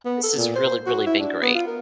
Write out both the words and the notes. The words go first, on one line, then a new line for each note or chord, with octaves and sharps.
this has really, really been great.
B3
A4
A#2
C5
F#4
E4
D4
B3
F4
A#4